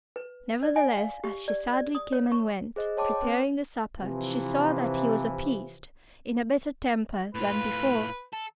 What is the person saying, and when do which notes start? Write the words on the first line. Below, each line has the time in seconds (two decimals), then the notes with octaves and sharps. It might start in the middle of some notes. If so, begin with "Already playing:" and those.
Nevertheless, as she sadly came and went, preparing the supper, she saw that he was appeased, in a better temper than before.
0.16 B4
0.63 D5
0.76 G#5
0.98 F5
1.24 G4
1.48 D5
1.74 D5
1.95 D#6
2.13 C#5
2.32 C#6
2.76 G#4 C5 D#5
2.97 C#5 G5 A5 C6 D6
3.22 C4 B4
3.99 C3 E3 F3
7.35 A2 F4 B4
8.33 A4